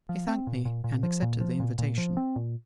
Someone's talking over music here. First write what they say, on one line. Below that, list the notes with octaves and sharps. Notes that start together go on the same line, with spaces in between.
He thanked me, and accepted the invitation.
F3
C4
A#2
A#2
A#2
F3
A#2
F3
A#2
A#2
F3
C4
A#2